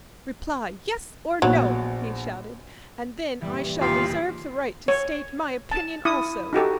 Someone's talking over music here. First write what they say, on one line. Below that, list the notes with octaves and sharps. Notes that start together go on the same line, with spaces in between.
Reply: yes or no," he shouted, "and then I shall reserve the right to state my opinion also.
A#1 F#3 B3
G2 A#2 E3 G3
D#2 A#2 C#3 E4 F4 G4 F5
C#5
A5
E4 D#6
D#4 F#4 G4 A4